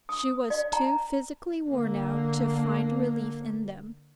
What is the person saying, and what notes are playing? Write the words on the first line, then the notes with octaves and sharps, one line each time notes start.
She was too physically worn out to find relief in them.
D#6
D5
A#5
D3 A#3